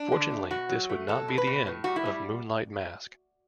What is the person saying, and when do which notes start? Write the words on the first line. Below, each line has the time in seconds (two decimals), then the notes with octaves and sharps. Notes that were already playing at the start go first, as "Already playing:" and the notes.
Fortunately, this would not be the end of Moonlight Mask.
Already playing: D4
0.12 D3
0.31 A3
0.50 B2 F#4
0.69 F#3
0.89 A3
1.08 F#3 A4
1.28 B2
1.38 B4
1.47 B2
1.67 A2
1.84 G3 F#4
1.96 E4
2.05 G3